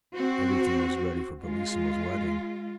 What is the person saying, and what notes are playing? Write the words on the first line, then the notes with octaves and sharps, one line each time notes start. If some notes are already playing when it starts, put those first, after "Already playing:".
Everything was ready for Bellissima's wedding.
C4 F#4
G#3 F4